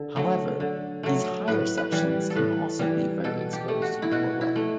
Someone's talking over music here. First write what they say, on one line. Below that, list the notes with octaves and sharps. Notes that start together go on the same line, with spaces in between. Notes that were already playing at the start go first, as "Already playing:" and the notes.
However, these higher sections can also be very exposed in poor weather.
Already playing: D3 A4
F#3 A3
D3
F#3 A3
A2 B4
B4
E3 G3
A4
A2 B4
E3 G3
B2 A4
G4
A3
F#4
E4
B2 F#4
E4
A3